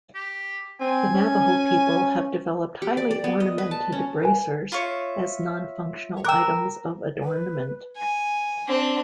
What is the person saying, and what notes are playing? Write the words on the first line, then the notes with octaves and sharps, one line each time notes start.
The Navajo people have developed highly ornamented bracers as non-functional items of adornment.
G4
C4 G#5
C#4
G4
D5
D5
B3
D#5
B4
A5
C#4
A#4 B4 G#5
F4 C#5 E5
A#4 G5 D6 E6 F#6
B4
G#5
C4 D4